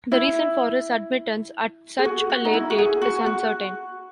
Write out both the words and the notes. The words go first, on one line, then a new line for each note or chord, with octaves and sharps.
The reason for his admittance at such a late date is uncertain.
E4
G#4
F#4
F#4
D#4
E4
F#4
G#4
F#4
F#4